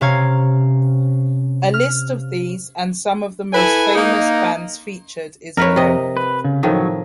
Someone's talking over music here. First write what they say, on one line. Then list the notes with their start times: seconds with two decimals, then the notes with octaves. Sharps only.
A list of these and some of the most famous bands featured is below.
0.01 C3 C#4 C#5 F5 A#5 G#6
1.74 F6
3.53 E4 A4 B4 G#5
3.95 A#3 D#4
5.57 F2 A#4 B4 C#5
5.76 C3 D#5
6.17 B4
6.44 C#3
6.63 A2 D#3 F3 F#3